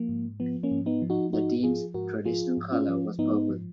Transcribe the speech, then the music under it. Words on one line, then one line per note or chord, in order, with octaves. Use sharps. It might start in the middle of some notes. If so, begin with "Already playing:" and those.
The team's traditional color was purple.
Already playing: F3 A#3
G#2
F3 B3
A#3 C#4
G#2
B3 D#4
F3
D#4 F#4
G#2 D#4 F#4
F3 F4 G#4
G#2 F#4 A#4
F3 F4 G#4
G#2
C#4 F4
F3
G#2 B3 D#4
F3